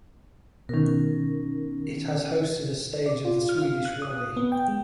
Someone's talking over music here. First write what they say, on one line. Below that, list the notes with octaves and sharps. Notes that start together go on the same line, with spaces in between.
It has hosted a stage of the Swedish rally.
B2 D#3 C#4 A#4
D5
F4
F6
F5
F#6
D#6
B3
G5
G#3